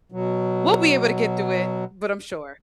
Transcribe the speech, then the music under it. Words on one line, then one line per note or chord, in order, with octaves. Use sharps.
we'll be able to get through it, but I'm sure.
B2 F#3